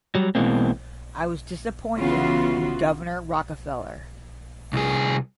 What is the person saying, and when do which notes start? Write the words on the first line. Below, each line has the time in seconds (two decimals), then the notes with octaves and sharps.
I was disappointed in Governor Rockefeller.
0.15 F#3 G3
0.35 B2 E3 F3 G#3 A#3 C4
1.98 C#3 E3 B3 F4 F#4
4.73 C2 G#4